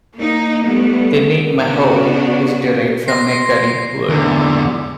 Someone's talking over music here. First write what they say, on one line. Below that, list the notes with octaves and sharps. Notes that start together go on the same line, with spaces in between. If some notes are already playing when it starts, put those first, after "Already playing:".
The name mahoe is derived from a Carib word.
A#3 D#4
G3 A3 B3
C#3 B3 D4 F#4
C6 A#6 C7
E2 D3